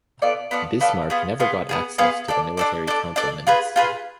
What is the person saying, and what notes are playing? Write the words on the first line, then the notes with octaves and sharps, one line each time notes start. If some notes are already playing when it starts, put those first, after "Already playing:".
Bismarck never got access to the Military Council minutes.
B3 F4 A4 D5
B3 F4 A4 D5
B3 F4 A4 D5
B3 F4 G#4
B3 F4 G#4
B3 F4 G#4
B3 F4 G#4
D4 A4 D5
D4 A4 D5
D4 A4 D5
D4 A4 D5
F4 G#4 B4
F4 G#4 B4